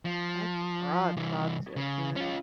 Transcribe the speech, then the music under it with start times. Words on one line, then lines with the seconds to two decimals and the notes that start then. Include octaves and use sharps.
That's a broad subject, man.
0.05 F3
1.17 C2 E3
1.76 C#3
2.16 C#4 F4